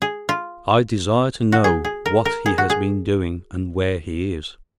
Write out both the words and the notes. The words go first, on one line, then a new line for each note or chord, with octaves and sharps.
"I desire to know what he has been doing, and where he is."
G#4
F4
F#4
G#4
G#4
A#4
A#4
G#4
F#4
G#4